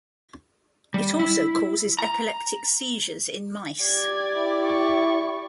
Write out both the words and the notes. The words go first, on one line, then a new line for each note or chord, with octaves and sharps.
It also causes epileptic seizures in mice.
G3
E4
A#5
G4 D5 G#6
E4
C#6